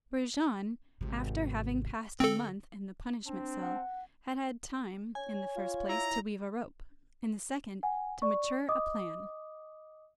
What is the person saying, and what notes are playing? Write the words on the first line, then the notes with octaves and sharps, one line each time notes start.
Brujon, after having passed a month in the punishment cell, had had time, in the first place, to weave a rope, in the second, to mature a plan.
G#1 C3
D3 C4 A4
C4 D4
F#5
C#5 G#5
F4
E4 A#5
F#5 G#5
D5 C#6
D#5 D6 D#6